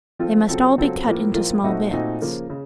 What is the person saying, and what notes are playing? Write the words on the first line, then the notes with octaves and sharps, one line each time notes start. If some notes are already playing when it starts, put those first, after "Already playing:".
They must all be cut into small bits.
F3 C4 F4 A4
C#3 F#3 C4 F4 A4
C#3 F#3 C4 F4 A4
A2 F3 A#3 F4
A2 F3 A#3 F4
A#2 A3 C4 D#4 F#4
A#2 A3 C4 D#4 F#4
C#3 F3 A#3
C#3